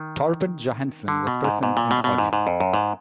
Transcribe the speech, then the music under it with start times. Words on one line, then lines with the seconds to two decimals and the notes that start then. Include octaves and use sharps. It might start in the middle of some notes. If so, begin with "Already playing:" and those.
Torben Johansen was present in the audience.
Already playing: D#3
1.08 D3
1.27 B2
1.44 G#2
1.63 G#2
1.77 A#2
1.91 B2
2.04 B2
2.18 G#2
2.33 G#2
2.47 F2
2.60 F#2
2.74 G#2